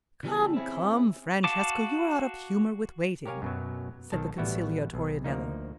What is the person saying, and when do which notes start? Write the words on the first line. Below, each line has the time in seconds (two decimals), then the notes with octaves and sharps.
"Come, come, Francesco, you are out of humour with waiting," said the conciliatory Nello.
0.23 C#3 E3 G3 B3 G#4 A4
0.54 C4 C#4 E4 G#4
1.44 F#4 F5 A5 D6
3.26 G4 A#4 C#5 F5 G#5
3.42 F#2 B2 F#3
4.12 B1 D#3 A5
4.38 A1 G3 B3 E4 F#4
4.94 B1
5.24 D2 F3 A#3 D#4